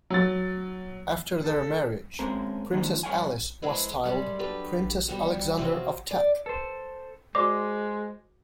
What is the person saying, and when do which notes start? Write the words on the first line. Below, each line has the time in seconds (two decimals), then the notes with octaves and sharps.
After their marriage, Princess Alice was styled Princess Alexander of Teck.
0.10 F#3 A6
1.44 A4
2.19 G#3 A#3 C4 C#4 A#4
2.72 G#2 D#3 F3 A#3 D4 D#4
3.03 G2 C#5 F5 F#5 G#5
3.62 F2 G#3 E4 G#4 B4
4.04 F#2 G3 G#3
4.39 F#3 D4 G4 A4 B4
5.07 G3 B3 F#4 G4
5.58 C3 F#3 G3 C4 F4 F#4
6.11 D5
6.46 A4 B4 C5
7.35 G#3 F#4 C5 D5 D#5 C6 D6